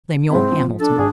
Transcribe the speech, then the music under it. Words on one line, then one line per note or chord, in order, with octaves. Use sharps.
Lemuel Hamilton.
G#2 G#3 C4 E4
F3
D4 A4
G#1 G#4